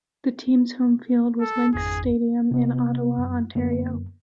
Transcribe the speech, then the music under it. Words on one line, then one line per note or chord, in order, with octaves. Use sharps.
The team's home field was Lynx Stadium in Ottawa, Ontario.
A4
G#1 F2 D4 G#4
C3 B3
F#2
F#2 D3 A#3 B3